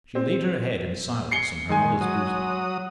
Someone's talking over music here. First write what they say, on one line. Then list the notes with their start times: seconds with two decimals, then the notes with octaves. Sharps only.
She laid her head in silence on her mother's bosom.
0.15 C4
1.31 C7 C#7 G7
1.69 D#3 G#3 G#5
2.01 F#3 D#6